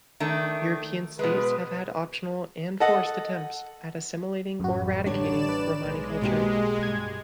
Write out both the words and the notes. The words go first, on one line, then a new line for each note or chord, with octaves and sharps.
European states have had optional and forced attempts at assimilating or eradicating Romani culture.
D#3 A3 D4
B2 G#3 B4
A4 D#5 F#5
A1 F#2 A2 F#4
D3 G3 D4 C#5 D5 E7
B4
B1 G#3
B2 A#3 G4
G2 G#6